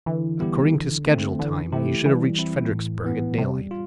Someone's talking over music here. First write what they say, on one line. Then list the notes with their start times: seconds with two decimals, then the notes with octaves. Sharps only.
According to schedule time, he should have reached Fredericksburg at daylight.
0.06 D3 E3
0.40 G3 B3 E4 G4
0.73 D3
1.06 A3 C4
1.39 D3 E3
1.72 C3 A3 E4 G4
2.05 E3 G3
2.39 C4 E4
2.72 A2
3.04 E3 B3
3.38 C3 G3
3.71 F4